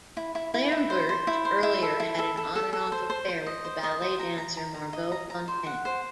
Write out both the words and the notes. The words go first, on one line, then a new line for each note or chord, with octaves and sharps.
Lambert earlier had an on-and-off affair with the ballet dancer Margot Fonteyn.
E4
E4
E4
E4
C5
C5
E4
C5
E4
A4
E4
A4
A4
A4
A4
C5
C5
C5
D#5
C5
D#5
C5
A#5
A#5
A#5
A#5
D#5
A#5
A#5
C5
F#5
C5